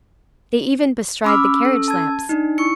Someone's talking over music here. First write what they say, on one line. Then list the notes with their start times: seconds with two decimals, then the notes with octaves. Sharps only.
They even bestride the carriage lamps.
1.25 C#4 B5 D6 E6 F6
1.65 A4
1.88 A5 G#6
2.29 D4 D#4
2.58 E4 C#6 C#7